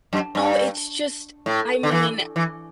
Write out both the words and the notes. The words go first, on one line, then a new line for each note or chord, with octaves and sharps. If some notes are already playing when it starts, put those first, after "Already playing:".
oh, it's just I mean,
F#2
G2
A2
D3
E3
E3